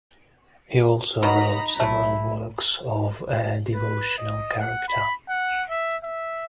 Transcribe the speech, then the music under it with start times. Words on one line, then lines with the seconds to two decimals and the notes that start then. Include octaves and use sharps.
He also wrote several works of a devotional character.
1.23 D#3 F#3 B3 D#4 A#5 B5
1.80 B1 A3 E4
3.74 B4
4.18 D#5
4.60 F#5
4.88 B5
5.29 F#5
5.70 E5
6.04 E5